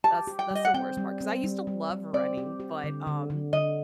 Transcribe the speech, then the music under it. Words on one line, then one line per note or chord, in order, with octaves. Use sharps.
that's that's the worst part. 'Cause I used to love running, but, um,
G4 A5
G4
G5
G3 D#5
F#5
C4 G5
G3
C4
G3
G3
G3
C4 D5
G4
G4
D3
D3
D3
D3 D#5